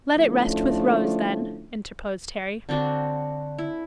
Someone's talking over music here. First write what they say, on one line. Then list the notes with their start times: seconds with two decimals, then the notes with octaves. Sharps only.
'Let it rest with Rose, then,' interposed Harry.
0.15 D3 F3 A3 C#4 D4 E4
2.69 D3 C4 D4 F#4
3.58 E4